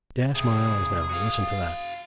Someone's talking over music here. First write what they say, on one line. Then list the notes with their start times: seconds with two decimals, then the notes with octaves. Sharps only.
'Dash my eyes now; listen to that!
0.35 C2 G2 G#4
1.09 F#4 F5